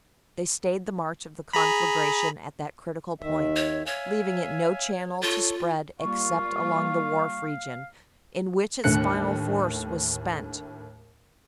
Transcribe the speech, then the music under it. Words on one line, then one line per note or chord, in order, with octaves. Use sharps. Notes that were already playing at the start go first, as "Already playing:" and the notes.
They stayed the march of the conflagration at that critical point, leaving it no channel to spread except along the wharf region, in which its final force was spent.
G#4 A#5 B5
D#2 D#3 E5
C#5
C#5 E5 F5 G#5
F4 A4 C#5
G3 A#3 F4 F5 C#6
D#2 A2 D3 A3 F#6 C#7